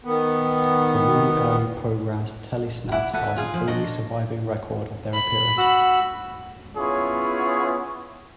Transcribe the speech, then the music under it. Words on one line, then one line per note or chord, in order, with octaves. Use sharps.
For many early programmes tele-snaps are the only surviving record of their appearance.
D#3 B3
E4 F#5 D6
D#2 A4 B4 F#5 G#5
F4 G#4 F5
F3
D4 D#5 A#5 C#6
B5
F#4 E6
B3 C#4 E4 F4 G#4 C#5